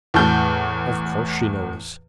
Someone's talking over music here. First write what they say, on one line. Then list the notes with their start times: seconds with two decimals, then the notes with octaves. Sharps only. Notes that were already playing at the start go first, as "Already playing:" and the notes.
'Of course she knows.
0.14 E2 A2 A5 G6